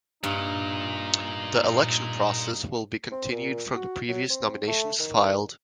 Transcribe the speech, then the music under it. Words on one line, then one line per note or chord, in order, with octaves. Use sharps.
The election process will be continued from the previous nominations filed.
G2 A#2 D#4
C4
A#2
F#4
F#3
C4
A3
D#3